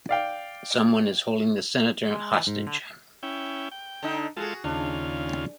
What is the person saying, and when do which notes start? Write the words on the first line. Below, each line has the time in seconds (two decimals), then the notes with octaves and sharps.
Someone is holding the Senator hostage.
0.09 D5 F5 G5
2.10 G#3
2.32 E3
2.47 G#2
2.67 D3
3.23 C#4 E4 G5
3.72 G5
4.03 D3 D#4
4.37 G#3 F4 F#4 G#4 A4
4.64 D#2 C#3 D4 F4